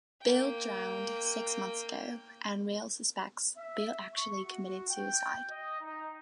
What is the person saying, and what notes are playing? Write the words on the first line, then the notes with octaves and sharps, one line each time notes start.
Bill drowned six months ago, and Will suspects Bill actually committed suicide.
A#3 G5
E5
C#6
F#4
G5
D#5
D#4